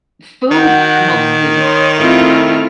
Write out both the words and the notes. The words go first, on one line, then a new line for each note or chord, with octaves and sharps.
food mostly.
D#3 F#4 F#5 G5
A#2
C#5 C6 D#6
A3 C4 E4 F4 F6